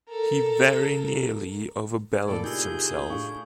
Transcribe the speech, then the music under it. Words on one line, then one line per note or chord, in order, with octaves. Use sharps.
He very nearly overbalanced himself.
A4 A#4
G#4
A2 C3 A#3 A4 D5
D#4 F4 G4 G#4 G6
A2 D4 F5 C#6